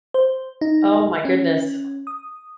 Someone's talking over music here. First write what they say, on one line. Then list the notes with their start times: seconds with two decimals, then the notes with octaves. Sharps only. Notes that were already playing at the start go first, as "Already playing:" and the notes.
Oh my goodness.
0.14 C5
0.61 D#4
1.25 C#4
2.07 D#6